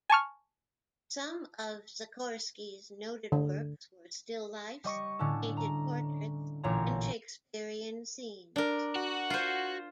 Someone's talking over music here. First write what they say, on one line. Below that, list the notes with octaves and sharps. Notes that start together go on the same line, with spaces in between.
Some of Czachorski's noted works were: still lifes, painted portraits, and Shakespearean scenes.
G#5 A5 C#6 F6
D3
G3 D#5 C#6 C#7
A2 D3 C#4 A4
A#5
A1 A#2 C#5 A#5
D4 A#4
F#4
F4 C5